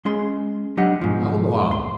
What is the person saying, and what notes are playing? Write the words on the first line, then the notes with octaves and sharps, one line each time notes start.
"How long?"
G#3 C#4 G#4 C6
F#3 D4 G4 D#5 F#5
G#2 B2 F3
C6